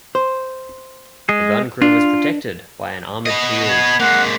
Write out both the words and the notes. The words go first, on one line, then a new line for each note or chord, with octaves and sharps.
The gun crew was protected by an armoured shield.
C5
G#3 G#4
D4 F4
B3 D#5
G#6
G#3 A#3 F#5